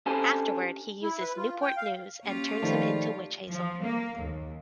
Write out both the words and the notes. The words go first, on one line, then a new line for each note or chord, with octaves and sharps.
Afterward he uses "Newport News" and turns him into Witch Hazel.
C#4 D4 G4 A4 C5 G#5
E4
B4
F4
G5
F5
A#3 C#4 F4 G4 C#5
D#3 F3 A3 D5 B5
F3
A#3
D#2